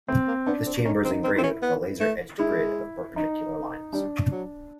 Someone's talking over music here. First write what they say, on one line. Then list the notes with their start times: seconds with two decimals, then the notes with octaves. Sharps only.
This chamber is engraved with a laser-etched grid of perpendicular lines.
0.08 A3 C4
0.28 A#3
0.47 B3 D4
0.67 C4
0.85 C#4 D#4
1.04 C4
1.11 D#4
1.24 C4
1.36 C4 E4
1.43 C#4
1.62 B3
2.00 A3
2.38 G#3 E4
3.16 D#4
3.93 G3 D4
4.32 F#3